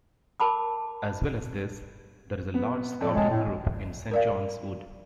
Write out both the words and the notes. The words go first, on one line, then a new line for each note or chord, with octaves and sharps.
As well as this, there is a large Scouting group in Saint Johns Wood.
A#4 A5 B5 D6
B3
F2 A4 D5
G#3 C#5 G5 A5
A2
A#4 D5 F5